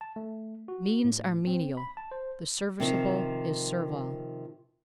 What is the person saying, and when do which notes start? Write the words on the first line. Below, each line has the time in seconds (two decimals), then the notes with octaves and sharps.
Means are menial, the serviceable is servile.
0.01 A5
0.16 A3
0.68 F#4
1.04 A2
1.47 C4
1.77 B5
1.97 A5
2.11 C5
2.80 C3 D#3 F3